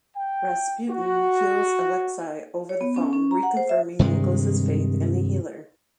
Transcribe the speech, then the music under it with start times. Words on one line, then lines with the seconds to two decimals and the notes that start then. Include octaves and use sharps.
Rasputin heals Alexei over the phone, re-confirming Nicholas's faith in the healer.
0.16 G5
0.89 F#4
2.69 C#5
2.81 B3
2.96 C#4
3.13 C#4
3.31 A#5
3.43 F#5
3.57 C5
3.69 E5
3.99 G2 C3 D#3 G#3